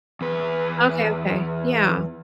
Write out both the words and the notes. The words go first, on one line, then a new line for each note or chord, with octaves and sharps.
Okay, okay, yeah.
E2 B4